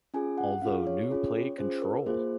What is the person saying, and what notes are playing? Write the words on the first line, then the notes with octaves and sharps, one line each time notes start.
Although New Play Control!
C#4 F4 G#4 G#5
F#5
C#4 F4 G#4 F5
C#5
C#4 F4 G#4
C#4 F4 G#4 C5
A#4
A#3 F4 G#4 C5